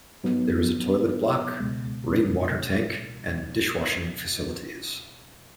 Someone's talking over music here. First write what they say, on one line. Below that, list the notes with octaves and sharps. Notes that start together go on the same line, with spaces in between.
There is a toilet block, rain water tank and dish-washing facilities.
G#2 F#3 B3 D#4
C#2 B2 G#3